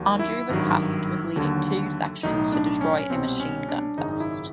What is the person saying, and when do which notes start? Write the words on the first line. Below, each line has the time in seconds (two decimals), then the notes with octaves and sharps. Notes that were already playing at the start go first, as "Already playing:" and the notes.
Andrew was tasked with leading two sections to destroy a machine-gun post.
Already playing: D#2 D#3 F#3
0.19 E4
0.49 G#1 G2 D#3 F#3
1.36 D#2 D3 F#3
2.23 B1 A2 F#3 D#4
2.52 D4
2.81 C#4
3.10 C2 B2 G3 C4
3.40 C#4
3.69 D4
3.97 G#1 F#2 C#3 D#4
4.20 E4